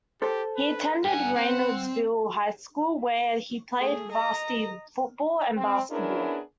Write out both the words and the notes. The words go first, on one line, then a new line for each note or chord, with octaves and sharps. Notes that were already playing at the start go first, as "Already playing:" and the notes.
He attended Reynoldsville High School where he played varsity football and basketball.
G4 A4 C5
B4
G2 F#5 G#5
C4
A3 G#4
D#5 A#5
C4
B3 C#4 D4 E4 G#4 A#4